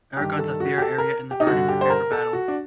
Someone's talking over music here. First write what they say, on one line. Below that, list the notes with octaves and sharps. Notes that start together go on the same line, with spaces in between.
Eragon, Saphira, Arya, and the Varden prepare for battle.
G2 D#3 G4
A4
F#4
G4
A4
A#4
G4
D#4
G2 D3 F#4
G4
C5
A#4
A4
F#4
D4